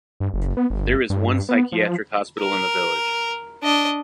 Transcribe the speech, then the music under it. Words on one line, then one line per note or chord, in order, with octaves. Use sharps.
There is one psychiatric hospital in the village.
G2
F#1
B3
G1
G2
G2
B3
F3
A#4
D4 D#5